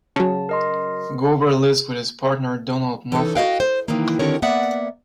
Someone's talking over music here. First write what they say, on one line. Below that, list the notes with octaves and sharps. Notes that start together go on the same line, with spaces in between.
Gober lives with his partner Donald Moffett.
C#3 F#3 A5
A#4 D#5 C6
E3 C#4 D#4 A4 C#5
F#4 D#5 F5 G5
C5
C3 D#3 E3 F#3 A#3
D3 D#3 C4 G4 A#4 C#5
A#3 B3 D5 E5 F#5